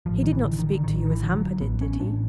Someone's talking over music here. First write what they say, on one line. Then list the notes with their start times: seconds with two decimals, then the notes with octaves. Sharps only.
He did not speak to you as Hamper did, did he?'
0.06 A1 F3
0.23 D#3
0.32 E3
0.45 D3
0.59 D#3
0.72 D3
0.84 A1 D#3
1.06 D#3
1.10 E3
1.23 D3 F3
1.36 F#3
1.61 A1 B3
1.81 C#4
1.99 A1 D4